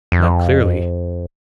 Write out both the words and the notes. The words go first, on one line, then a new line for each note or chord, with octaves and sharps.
"Not clearly."
F2